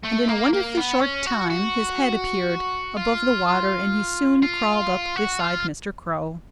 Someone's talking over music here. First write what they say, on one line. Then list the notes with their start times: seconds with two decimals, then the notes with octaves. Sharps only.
And in a wonderfully short time his head appeared above the water and he soon crawled up beside Mr. Crow.
0.05 A3
0.29 A#3
0.53 A#3
0.77 B3
1.01 C#4
1.26 F#4
1.50 F#4
2.97 F4
4.42 F4
5.16 F#4
5.40 F4